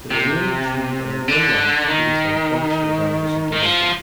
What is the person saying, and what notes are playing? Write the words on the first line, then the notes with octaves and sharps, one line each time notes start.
The remaining teams are then ranked based on points regardless of division.
C3
D3
D#3
D#3
F3